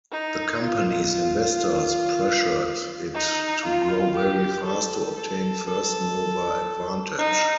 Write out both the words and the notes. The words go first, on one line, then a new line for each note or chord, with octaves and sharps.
The company's investors pressured it to grow very fast to obtain first-mover advantage.
D#4
F4
F4
D#4
F4
G4
A4
A4
A4
D#4